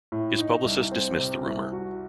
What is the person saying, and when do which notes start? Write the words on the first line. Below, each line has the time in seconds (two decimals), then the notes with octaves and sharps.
His publicist dismissed the rumor.
0.12 A2
0.39 D#4
0.65 C2
0.92 C4
1.19 C3
1.46 C2
1.72 F#4